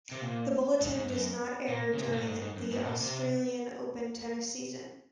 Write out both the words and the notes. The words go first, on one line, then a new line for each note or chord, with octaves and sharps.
The bulletin does not air during the Australian Open tennis season.
C3
A#2
G#2
G#2
F#2
A#2
C#3
C3
G#2
A#2
G#2
G#2
F#2
G#2
A#2
C3